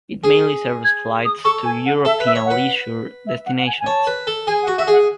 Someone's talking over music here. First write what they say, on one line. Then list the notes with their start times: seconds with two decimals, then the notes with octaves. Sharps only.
It mainly serves flights to European leisure destinations.
0.24 G#4
0.84 G#6
1.25 D#6
1.44 A4 C#6
1.64 G#5
1.86 F#5
2.05 A4 E5
2.20 B4
2.26 E5
2.35 C#5
2.45 F#5
2.51 B4
3.27 E5
3.46 F#5
3.59 F#5
3.66 G#5
3.79 G#5
3.86 C#5 A5
4.07 B4
4.27 A4
4.47 G#4 G#5
4.62 F#5
4.67 F#4
4.77 F#4 E5
4.88 G#4 F#5